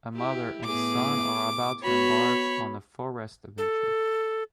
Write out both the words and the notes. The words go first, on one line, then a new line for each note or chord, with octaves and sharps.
A mother and son are about to embark on a forest adventure.
E4 G4
A2 B3 G#4 D6
B3 F#4 C#5 B5
A4